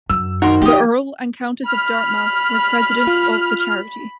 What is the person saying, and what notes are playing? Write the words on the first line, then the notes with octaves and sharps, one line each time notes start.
The Earl and Countess of Dartmouth were Presidents of the charity.
F#2 E6
D#3 D#4 F#4 A#4 C6
E3 F3 G4 D#5
B5 F6
F4